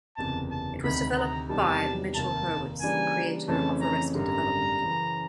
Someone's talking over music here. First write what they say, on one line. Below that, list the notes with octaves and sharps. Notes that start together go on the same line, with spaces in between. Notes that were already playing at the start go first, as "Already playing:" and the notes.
It was developed by Mitchell Hurwitz, the creator of "Arrested Development".
F#1 E2 C3 A5
A5
D2 C3 D#3 B5
A#5
E2 C3 D#3 G3 A5
F1 D#2 D#3 A5
C#3 E3 G3 A#3 D4 G#5
F2 C#3 E3 A3 C#4 A5
A#5
G#1 F#2 D3 G3 A#5
F#2 C#3 E3